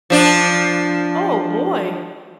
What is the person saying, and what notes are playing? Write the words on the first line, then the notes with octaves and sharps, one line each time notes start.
Oh, boy.
F3 D4